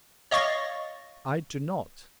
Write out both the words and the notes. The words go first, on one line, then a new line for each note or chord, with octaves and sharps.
I do not.
C#5 D#5 F5 C#6 A6 A#6